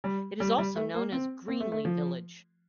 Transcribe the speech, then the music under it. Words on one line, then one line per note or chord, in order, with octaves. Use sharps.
It is also known as "Greenly Village".
G3
G3
G3
A3
A#3
C4
C4
A3
A3
F3